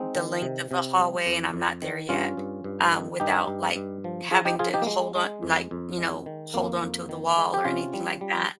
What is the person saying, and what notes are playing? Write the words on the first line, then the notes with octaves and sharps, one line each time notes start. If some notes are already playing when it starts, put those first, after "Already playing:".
the length of the hallway- and I'm not there yet- um, without, like, having to hold on like, you know, hold on to the wall or anything like that
Already playing: G#3 C4 D#4
D#3
C3
C3
G3
F2
F2
D#3
G2 C#4 F4
G2
G2
D#3
G2 D#4 G4
G2
G2
F3
F3 F4 G#4
D#4 G4
F3 F4 G#4
D#4 G4
A#3
G#3
G#3
F2
F2
G#3
D#3
F2 A#3
F2
D#3
G#3
G4
C3 C#4 F4
G3
G3